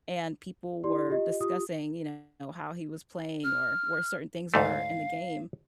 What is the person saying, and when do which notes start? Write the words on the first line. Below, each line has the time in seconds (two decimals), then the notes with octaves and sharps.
and people were discussing, you know, how he was playing or where certain things were in the game,
0.83 E4 G4 D5 C6
1.08 F4 G4 D#5
1.40 F4 G4 D#6
3.44 F6
4.54 D2 G#2 A3 F5